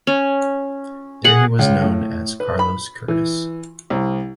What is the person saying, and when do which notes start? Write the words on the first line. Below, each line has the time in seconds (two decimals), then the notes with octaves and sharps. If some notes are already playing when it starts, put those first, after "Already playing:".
There he was known as Carlos Curtiss.
0.07 C#4
1.24 G#4 F#5
1.59 C#2
1.81 A2
2.40 B4
2.59 B5
3.08 E3
3.90 C2